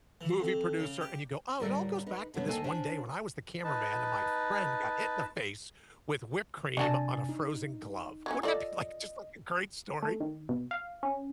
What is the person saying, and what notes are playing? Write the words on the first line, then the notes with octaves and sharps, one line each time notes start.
movie producer and you go, "Oh, it all goes back to this one day when I was the cameraman and my friend got hit in the face with whipped cream on a frozen glove." Wouldn't that be, like, just like a great story?
E3
F2
C#3
G4
D2 A2 G3 A#4 D5 E5
D#4 B4
D3 F#3 B3 C#4
D2 D#3 A#3 A4 G#5 A5
C#4 D4 C5 C#5
D#4 B4 A5
C3 D4 F#4 G#5 A5 A6
D#4
F#3 C#4
F4 A4 D5 D#5
A3
D#3
B2
F5
C#4